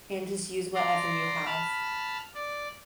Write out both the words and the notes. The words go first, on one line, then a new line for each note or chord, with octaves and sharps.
and just use whatever you have.
D5 A#5 C6
A5 B5 F6
D5